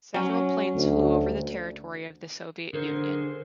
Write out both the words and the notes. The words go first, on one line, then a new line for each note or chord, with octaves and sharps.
Several planes flew over the territory of the Soviet Union.
F#3 C#4
D2
D3 G#4 A#4 C5